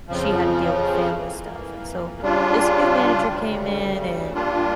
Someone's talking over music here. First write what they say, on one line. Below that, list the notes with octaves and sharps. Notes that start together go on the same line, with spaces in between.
she had to deal with family stuff, and so this new manager came in, and
F2 C#3 F3
F2 E3 A#3
C#3 G3 D4 F4
D2 C#3 G3
A#2 G3 D4 F4